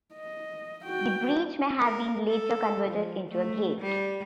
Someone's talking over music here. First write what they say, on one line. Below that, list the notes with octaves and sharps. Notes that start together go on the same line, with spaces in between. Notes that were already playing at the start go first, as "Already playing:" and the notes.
The breach may have been later converted into a gate.
D#5
F#4 G5
A#4
A4
F3
A3
G3